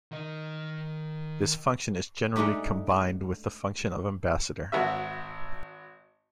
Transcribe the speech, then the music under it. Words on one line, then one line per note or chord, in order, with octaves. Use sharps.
This function is generally combined with the function of Ambassador.
D#3 D#5
G#3 A3 D4 D#4 G4
G#1 F#4 B4 E5